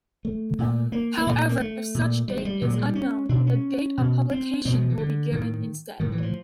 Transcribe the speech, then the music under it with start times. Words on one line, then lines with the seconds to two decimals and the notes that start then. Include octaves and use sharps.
However, if such date is unknown, the date of publication will be given instead.
0.25 A3
0.59 A#2
0.92 A#3
1.18 A#3
1.27 A#2 A3
1.49 A#3
1.60 A3
1.95 A#2
2.28 G3
2.37 G#3
2.45 G3
2.62 A#2 F#3
2.72 G#3
2.79 G3
2.95 C#4
3.29 B2 D4
3.47 C#4
3.98 B2
4.31 C4
4.65 B2 C4
4.74 F#3
4.81 F3
4.90 E3
4.98 D3
5.32 A2 D#3
6.00 A2 D#3
6.12 E3
6.18 F#3
6.23 F3